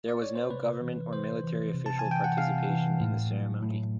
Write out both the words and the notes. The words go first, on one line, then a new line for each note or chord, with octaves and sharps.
There was no government or military official participation in the ceremony.
D5
C#5
C5
C3 B4
E3
C3 C5
E3
C3
A5
G#5
E3
G5
F#5
C3 F5
E3
A2
F#3
A2